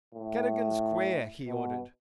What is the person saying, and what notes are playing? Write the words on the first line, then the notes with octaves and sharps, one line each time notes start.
"Cadogan Square," he ordered.
A2
B2